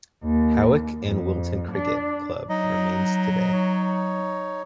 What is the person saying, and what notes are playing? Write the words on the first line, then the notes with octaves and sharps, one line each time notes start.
Hawick and Wilton Cricket Club remains today.
D#2
F2
D4
F#3 D#4 D#5
D#4 C#5